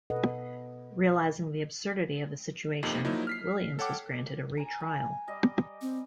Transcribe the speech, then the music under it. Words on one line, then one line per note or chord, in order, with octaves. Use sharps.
Realising the absurdity of the situation, Williams was granted a retrial.
B2 A4 B4 D#5 F#5
G1 F2 C3 A#3 D#4
F3 F#3 A#3 D#4 E4
F6 B6 C7
A4 C#5 F#5 G5 D6
G#5 A#5
G#5
G3 D5 D#5
C4